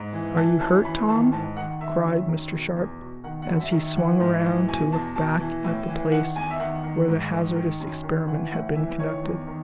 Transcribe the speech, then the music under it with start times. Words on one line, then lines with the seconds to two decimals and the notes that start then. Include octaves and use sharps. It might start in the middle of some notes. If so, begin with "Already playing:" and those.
"Are you hurt, Tom?" cried Mr. Sharp, as he swung around to look back at the place where the hazardous experiment had been conducted.
Already playing: G#2
0.13 E3
0.36 E3 A5
0.60 F#2 A5
0.84 E3 B5
1.08 D#3 A5
1.32 G#2 A5
1.56 D#3 F#5
1.80 D#3 E5
2.04 F#2
2.28 D#3
2.52 B2
2.76 E2
3.00 B2
3.24 D#3 F#5
3.42 F#5
3.48 F#2
3.60 E5
3.72 D#3
3.78 E5
3.96 E3 F#5
4.20 G#2
4.45 E3
4.68 B2 G#5
4.92 E2 A5
5.16 B2 A5
5.40 E3
5.64 A2
5.88 E3
6.12 D#3 F#5
6.36 E2 G#5
6.50 E5
6.59 D#3 F#5
6.84 D#3
7.08 G#2
7.32 D#3
7.56 D#3
7.80 F#2
8.03 D#3
8.27 E3 F#5
8.51 A2 F#5
8.75 E3 E5
8.99 D#3 C#5
9.23 E2
9.47 D#3